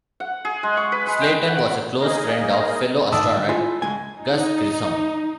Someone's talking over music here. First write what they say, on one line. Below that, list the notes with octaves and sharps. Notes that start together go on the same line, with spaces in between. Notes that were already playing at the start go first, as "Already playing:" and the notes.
Slayton was a close friend of fellow astronaut Gus Grissom.
F#5
G#4
G#3
C#6
B4
G#3
G5
F#5
A#3 D#4 G#4 A#4 D#5
G#2 D#3 D5 A5 D#6 E6
E4 F4 G#5
C#2 G#3 G#5
D#4